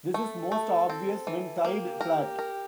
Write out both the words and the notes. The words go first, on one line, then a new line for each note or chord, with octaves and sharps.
This is most obvious when tied flat.
A3 A4
A3
C4
E3
A#3 G4
A#4
A#4